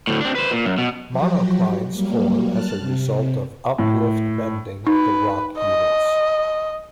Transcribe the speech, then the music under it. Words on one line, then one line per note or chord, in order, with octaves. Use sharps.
Monoclines form as a result of uplift bending the rock units.
D2 A2
C4 D4
B4 C5
A#2
F#2
B2
F3 F#3 F#4 G4
F#3 G3 A#3
A5 F6 F#6
C3
A2
D#4 B4
D#5